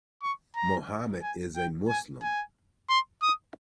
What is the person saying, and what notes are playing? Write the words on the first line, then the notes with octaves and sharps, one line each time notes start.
Mohammed is a Muslim.
C#6
A#5
G#5
G5
G#5
G#5
C6
D#6